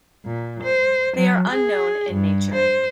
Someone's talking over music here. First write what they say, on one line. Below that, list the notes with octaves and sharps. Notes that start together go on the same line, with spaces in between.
They are unknown in nature.
A#2
C5
F#3
G#4
G2
C5